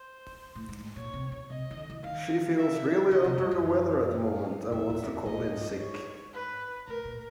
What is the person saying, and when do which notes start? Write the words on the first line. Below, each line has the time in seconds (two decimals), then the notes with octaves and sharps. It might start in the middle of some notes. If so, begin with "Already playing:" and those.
She feels really under the weather at the moment and wants to call in sick.
Already playing: C5
0.55 A2
0.69 G#2
0.96 A#2 C#5
1.13 C3
1.32 B2
1.50 C3 D#5
1.71 D#3
1.77 D3
1.90 E3
2.03 D#3 F5
2.58 E5
3.11 D3 D#5
3.24 C3
3.38 G2
3.51 F#2
3.64 F5
4.18 F5
4.72 F2 E5
4.90 E2
5.03 F#2
5.08 F2
5.25 A2 D#5
5.38 G#2
5.50 G2
5.61 G#2
5.80 C#5
6.34 B4
6.87 A2 A#4
7.05 A#2